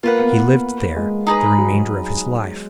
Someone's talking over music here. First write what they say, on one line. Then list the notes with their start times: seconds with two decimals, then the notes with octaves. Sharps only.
He lived there the remainder of his life.
0.03 A#3 F4 B4 F#5
0.19 B3
0.34 A#3
0.96 G#3
1.27 D#4 G#4 B4
1.58 F#3
1.73 F#3